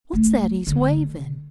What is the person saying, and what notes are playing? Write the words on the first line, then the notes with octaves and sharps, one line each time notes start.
What's that he's wavin'?
A3
D3